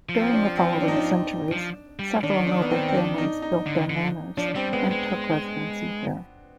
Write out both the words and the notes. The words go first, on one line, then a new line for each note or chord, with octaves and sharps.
During the following centuries, several noble families built their manors and took residency here.
F3
C4
D4
C4
D4
D#4
D4
F3
G3
D#3 D4
D4
B3
C4
C4
D4
D#4
D#4
D3
D3
F3 D4
D4
G3 C4
G#3 B3
G#3